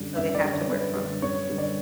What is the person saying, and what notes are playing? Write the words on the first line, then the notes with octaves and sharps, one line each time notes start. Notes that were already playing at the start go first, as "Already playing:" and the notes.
So, they have to work from
Already playing: F#2 D3 G3
F#2 E5
D5
D3 G3
C#5
F#2 B4
D3 G3
F#2 C#5
D3 G3
D5